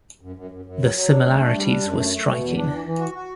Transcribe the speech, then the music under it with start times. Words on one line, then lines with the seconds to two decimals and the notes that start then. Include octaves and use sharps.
The similarities were striking.
0.21 F#2
0.36 F#2
0.51 F#2
0.65 F#2
0.80 F#3
0.94 F#3
1.09 D4
1.23 A3
1.39 D4
1.54 G3
1.67 D4
1.82 F#2
1.97 A3
2.11 A3
2.26 B2
2.40 E2
2.56 D4
2.71 E3
2.85 E3
2.99 F#4
3.14 F#4